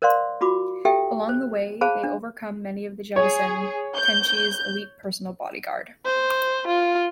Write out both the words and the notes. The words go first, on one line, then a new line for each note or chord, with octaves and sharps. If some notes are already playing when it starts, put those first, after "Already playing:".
Along the way they overcome many of the Juttensen, Tenshi's elite personal bodyguard.
A#4 C5 D5 F5 C6
F4 F#4 B5 D6
D#4 G4 A4 E5 G5
C5
G#4 C5 F5 A5 B5
D4
G#4 C#5
G6
C5
F4